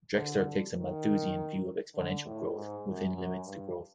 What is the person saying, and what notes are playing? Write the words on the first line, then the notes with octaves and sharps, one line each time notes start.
Drexler takes a Malthusian view of exponential growth within limits to growth.
D3
D#3
D3
A2
G#2
F#2
F#2
G2